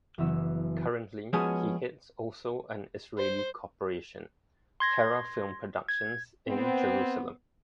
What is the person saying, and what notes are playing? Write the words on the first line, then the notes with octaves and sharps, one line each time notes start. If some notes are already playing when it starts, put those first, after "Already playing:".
Currently, he heads also an Israeli corporation, Terra Film Productions in Jerusalem.
F#1 F#2 E3 B3 C#4 E6
F3 G#3 B3 C#4 F#4 G#4
C5
C6 G#6 A#6
G#6
B3 C4